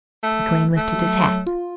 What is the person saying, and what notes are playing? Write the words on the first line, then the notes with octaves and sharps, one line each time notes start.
McLean lifted his hat.
A3
A3
F#3
F4